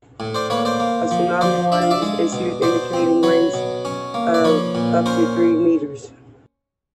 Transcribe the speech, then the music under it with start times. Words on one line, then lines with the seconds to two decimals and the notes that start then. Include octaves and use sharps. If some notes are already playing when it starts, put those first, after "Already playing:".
A tsunami warning was issued indicating waves of up to three meters.
0.20 A2
0.35 C5 D5
0.50 A#3 B4 C#5
0.65 C5 D5
0.80 A#3
1.11 F3
1.41 F3 C5 D5
1.72 D4 E5
1.82 F5
1.91 D5 E5
2.02 G#3
2.33 B2
2.62 B2 C5 D5
2.93 C4
3.23 F#3 B4 C#5
3.54 B2
3.85 C#4
4.14 A#3
4.34 D5
4.44 F3 B4 C#5
4.75 A#2
5.06 C#4 A#4 C5